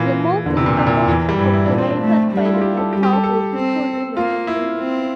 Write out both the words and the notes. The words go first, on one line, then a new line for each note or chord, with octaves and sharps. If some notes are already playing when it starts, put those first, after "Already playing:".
You move in circles populated by the most powerful people in the community.
Already playing: A#2 E3
E2 D3
C3
A#2
C3
A#2
E2 E3
G3
G2 E3
E4
A#2 D4
C4
D4
A3
G3
D4
E4
F4
G4
A4
G3 G4
G4
A4
A4
C4
A#3 F4
E4
C4